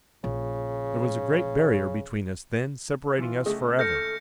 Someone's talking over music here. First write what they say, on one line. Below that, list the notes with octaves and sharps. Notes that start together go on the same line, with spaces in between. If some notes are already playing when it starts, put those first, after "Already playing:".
There was a great barrier between us then separating us forever.
A#1 C#3
E3 F4
C#2 G#3 A3 D#5
A4 F6 G6 A#6 C#7